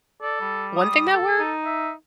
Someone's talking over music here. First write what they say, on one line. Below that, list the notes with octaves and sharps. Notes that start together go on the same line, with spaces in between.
One thing that worked
A4 D5
G3
D#6
A4
D#4
E5